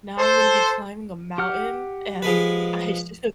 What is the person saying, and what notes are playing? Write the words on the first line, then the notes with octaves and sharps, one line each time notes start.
now I'm gonna be climbing a mountain and I should"
A4 C5
G4 F#5 F6
F3 G#3 B4